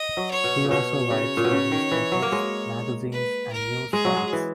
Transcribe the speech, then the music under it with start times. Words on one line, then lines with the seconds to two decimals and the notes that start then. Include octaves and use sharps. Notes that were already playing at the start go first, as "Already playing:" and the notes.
He also writes for newspapers, magazines and news sites.
Already playing: D#5
0.17 F#3
0.31 C#5
0.44 B2
0.65 A#2
0.71 B2 C#5
1.11 C#3
1.37 A#2
1.44 B2
1.51 C#3
1.71 D#3
1.92 E3
2.12 F#3
2.22 A#3
2.32 G#3
3.12 B4
3.52 A#4
3.93 G#3 G#4
4.05 F#3
4.16 G#3
4.33 E3